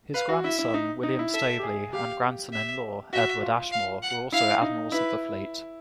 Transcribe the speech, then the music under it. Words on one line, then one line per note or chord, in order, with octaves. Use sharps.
His grandson William Staveley and grandson-in-law Edward Ashmore were also Admirals of the Fleet.
B4 F5
F#4
E4 E5
E4
D#4
D#4
E4
A4 E5
G4
G#4
G4 F5
E5
F#4 E5
F4
F5
F#5
E4 F5
D#4
E4 B4